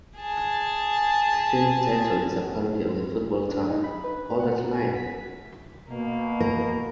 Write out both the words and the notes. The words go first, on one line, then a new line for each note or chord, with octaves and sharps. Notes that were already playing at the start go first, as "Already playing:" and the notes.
The film title is a parody of the football term, Hold that line!
G#4 A5
D4
D#4
B5
B4
F#5
G#5
B6
B2 A#3
A#4